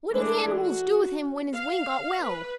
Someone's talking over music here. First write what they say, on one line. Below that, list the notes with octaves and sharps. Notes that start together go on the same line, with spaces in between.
"What did the animals do with him when his wing got well?"
E3 G#3 A3 D4
F#4
F5
B4